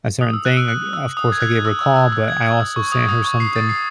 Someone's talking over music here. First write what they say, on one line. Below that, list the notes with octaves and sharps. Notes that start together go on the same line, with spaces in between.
a certain thing, o of course, I gave her a call, but I also sent her something,
D#6
E6
F#6
E6
F#6
E6
D#6
G#6
F#6
E6
E6
E6
E6
G#6
E6
C#6
D#6
D#6
C#6
C7
A6
C7